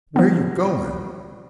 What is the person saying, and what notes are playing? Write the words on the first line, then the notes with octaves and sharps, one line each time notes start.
Where you going?
F3 B3